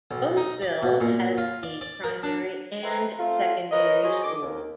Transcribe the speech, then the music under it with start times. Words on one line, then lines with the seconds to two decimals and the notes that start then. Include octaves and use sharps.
Bosvil has a primary and secondary school.
0.11 B1
0.37 D#4
0.62 D5
0.83 B2
1.01 A#2
1.38 F4
1.63 D5
1.81 D5
2.04 A#4
2.23 D4
2.83 A4 B4 C5 E5 G5 A#5
3.19 A3 C4 F4
3.71 A#4 B4 C#5 D#5
4.03 F#3 G#4 C5 C#5 D#5
4.23 D3 D#3 D6
4.42 D#2